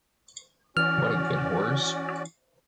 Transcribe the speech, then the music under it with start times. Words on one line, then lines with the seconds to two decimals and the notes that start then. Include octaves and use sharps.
What a good horse ?
0.77 E3 C#4 F#4 D5 F6